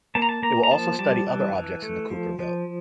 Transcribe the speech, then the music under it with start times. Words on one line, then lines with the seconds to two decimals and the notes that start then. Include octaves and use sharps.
It will also study other objects in the Kuiper belt.
0.15 A#3 A5
0.22 A#5
0.29 A5
0.43 A#3 A#5
0.63 A#5
0.71 F3 A5
0.99 G3 A5
1.27 E3
1.55 E3
1.82 A3
2.10 F3
2.39 F3